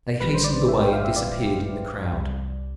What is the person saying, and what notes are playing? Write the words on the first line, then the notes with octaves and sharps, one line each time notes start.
They hastened away and disappeared in the crowd.
A1 A2 E3 G3 B4
C5
D5
E5
G5
F5
E5
D5
C2 C3 G3